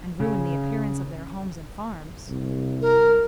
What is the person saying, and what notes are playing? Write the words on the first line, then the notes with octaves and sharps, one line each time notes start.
"And ruin the appearance of their homes and farms."
C#3
C2
A#4